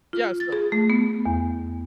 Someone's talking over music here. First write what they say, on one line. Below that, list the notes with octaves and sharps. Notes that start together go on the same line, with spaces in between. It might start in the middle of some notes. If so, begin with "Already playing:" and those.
Yeah, so
F4
A6
G#4
A3
B3
E2